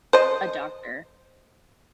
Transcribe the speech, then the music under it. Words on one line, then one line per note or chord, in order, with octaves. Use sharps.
a doctor.
C5 D#5